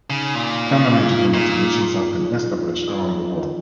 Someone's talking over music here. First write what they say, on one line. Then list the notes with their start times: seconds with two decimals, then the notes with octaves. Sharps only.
Permanent diplomatic missions have been established around the world.
0.10 C#3 D#4
0.35 A#2
0.85 F4
0.97 D#4 G#4
1.10 F4
1.22 D#4
1.34 A#2